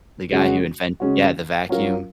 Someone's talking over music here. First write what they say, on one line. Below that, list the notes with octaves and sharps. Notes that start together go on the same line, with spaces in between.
the guy who inven Yeah, the vacuum.
C#3 G#3 C#4 F#4
C#3 G#3 C#4 F#4
F#3 C#4 F4 A#4 F5